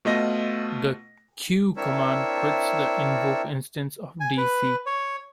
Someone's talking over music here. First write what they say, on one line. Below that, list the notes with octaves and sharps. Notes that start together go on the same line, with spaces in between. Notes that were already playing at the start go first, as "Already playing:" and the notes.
The 'q' command quits the invoked instance of dc.
B2 A3 F4 D#5 A#6
C4 D4 E4 A#4 C#5 E5
G#5
B4
C#5